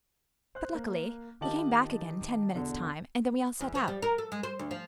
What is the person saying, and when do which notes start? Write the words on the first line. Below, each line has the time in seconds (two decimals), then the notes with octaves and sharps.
But, luckily, he came back again in ten minutes' time, and then we all set out.
0.55 C5 F#6
0.74 A#3
1.41 D#3 F4 G4 D#5 A5 F#7
2.54 E2 B2 D3
3.61 E2
3.75 F3
3.88 G3
4.02 A#4
4.18 A4
4.32 G#3
4.43 C5
4.59 D2
4.71 F3